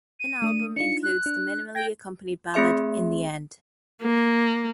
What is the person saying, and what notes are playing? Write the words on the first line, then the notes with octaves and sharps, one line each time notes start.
In album includes the minimally-accompanied ballad "In the End".
D#7
A3 D4 D#6
D4 D#4 F4 C#7
F#6
D4
G5 G#6 A#6
A3 C4 G#4 E5 C6
A#3